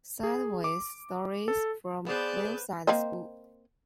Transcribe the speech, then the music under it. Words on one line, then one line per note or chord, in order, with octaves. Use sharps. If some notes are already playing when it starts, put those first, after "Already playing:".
Sideways Stories from Wayside School.
G#4
D6
A4
B3 G#4 B4 C5 D5 A5 G6
A#3 C4 D#5